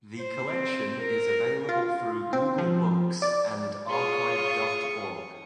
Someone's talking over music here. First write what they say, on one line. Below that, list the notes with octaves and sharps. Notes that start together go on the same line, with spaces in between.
The collection is available through Google Books and archive dot org.
C5
C4
A#4
F4
C4
F3
D5
F4 G#4 C#5 C#6 D#6